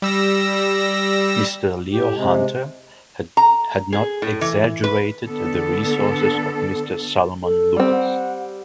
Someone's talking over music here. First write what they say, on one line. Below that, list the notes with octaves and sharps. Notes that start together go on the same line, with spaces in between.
Mr. Leo Hunter had not exaggerated the resources of Mr. Solomon Lucas.
G3 E6 A#6
A2 G4
C3 G#3
A#5
G#4
A2
E3
B4
D3 B3 A4
A4
G3 C4
F#5